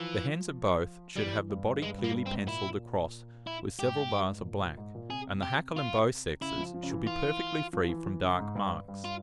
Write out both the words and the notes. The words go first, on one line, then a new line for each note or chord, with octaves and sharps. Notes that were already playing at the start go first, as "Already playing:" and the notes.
The hens of both should have the body clearly pencilled across with several bars of black, and the hackle in both, sexes should be perfectly free from dark marks.
Already playing: E3 F3
E3 G3
G2
G2 G#3
G2
A#3
G2
C4
G#2
A#2 E4
E4
G#2 G4
G#2
G2
G#2
A#2
G#2
A#2
G#2
A#2
C3 G#4
G4
F4
C#3 E4
F3
F3
C#3
E3
F4
F3
E3
E3
C#3
G#2
G2
G2
F4